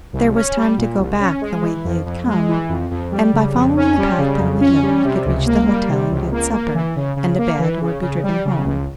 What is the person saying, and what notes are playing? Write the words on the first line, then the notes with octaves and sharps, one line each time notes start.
There was time to go back the way he had come, and by following the path down the hill he could reach the hotel and get supper and a bed, or be driven home.
C2
C#4
G3
A#2
C2
C#4
G#3
E3
F2
F2
G#3
E3
F2
F2
G3
C#3
F2
C#4
G3
C#3
F2
C#4
G3
C3
C#2
A#3
G3
C3
C#2
A#3
A#3
E3
C#3
C#3
A#3
E3
C#3
C#3
G3
C#3
C#2